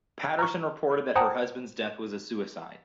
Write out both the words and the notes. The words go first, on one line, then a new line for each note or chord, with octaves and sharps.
Patterson reported that her husband's death was a suicide.
A#5 C#6
C5 F#5 G5 A5 A#5 D#6